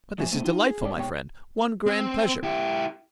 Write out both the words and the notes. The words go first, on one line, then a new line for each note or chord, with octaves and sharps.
But this is delightful, my friend--one grand pleasure!
G#2 F3 F#4 E5 G#5
D3 G#3 A3 B3 C4 E4
D#4 F4 G4
G#4
C#4 G4 D5
G#2 B2 G4 C#5 G5
C4
E4 G4